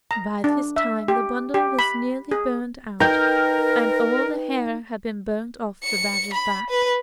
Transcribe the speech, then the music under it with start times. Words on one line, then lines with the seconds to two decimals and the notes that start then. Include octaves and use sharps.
By this time the bundle was nearly burned out and all the hair had been burned off the badger's back.
0.11 A#5
0.44 D4
0.76 E5
1.08 G4
1.54 G4
1.79 B5
2.31 G#4
3.00 D#4 A#4 B4 G5 G6
5.84 C#7
6.33 B5
6.70 B4